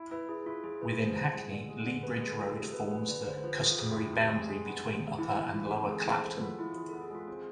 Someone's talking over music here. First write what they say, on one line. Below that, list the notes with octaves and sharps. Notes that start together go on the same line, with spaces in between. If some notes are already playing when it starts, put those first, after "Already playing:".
Within Hackney, Lea Bridge Road forms the customary boundary between Upper and Lower Clapton.
Already playing: E4
E4 B4
E4 G#4
E4 F4
F3 G#4
E4 B4
G#3 C5
G#3
G#3
D3
G#3
D3
G#3 B4
B4
G#3
A4
F3 G#4
C3 A4
G#3 B4
G#3 B4
D3 B4
D3 C5
F3 B4
F3 A4
F4
F2 G#4
F4
F2 E4
C3
G#3
G#3
B3
C3
C3
E3 E4
E3 E4
E3 F4
C4 A4
G#3 G#4
E3 C5
G#3 A4
B3 F4
F3 E4
F3 G#4
A4
B3
G#4
G#3 F4
C4 G#4